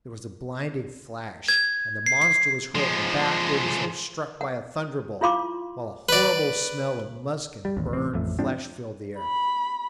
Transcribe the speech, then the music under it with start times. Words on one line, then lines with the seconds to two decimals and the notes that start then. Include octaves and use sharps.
There was a blinding flash, and the monster was hurled backward as though struck by a thunderbolt, while a horrible smell of musk and burned flesh filled the air.
1.48 G#6
2.06 C7
2.22 C7
2.75 F3 G#3
4.41 F#5
5.21 E4 F4 F5 C6 D6
6.09 B4 D5
7.65 G3
7.77 A1 D#2
7.93 A1 C4
8.13 A1 F2 A3
8.39 G#2 F3 C4 D4
9.19 B5